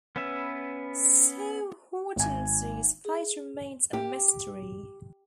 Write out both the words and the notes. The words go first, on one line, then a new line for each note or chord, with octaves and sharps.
So Hortense's fate remains a mystery.
B3 C#4 B4 E5
G#1 G#5
G#4
G4